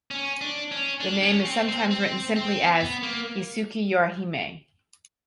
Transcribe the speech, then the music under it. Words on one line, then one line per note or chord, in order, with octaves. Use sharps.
The name is sometimes written simply as "Isukiyorihime".
C#4
D4
C#4
D4
C#4
C4
C4
C4
C4
B3
A#3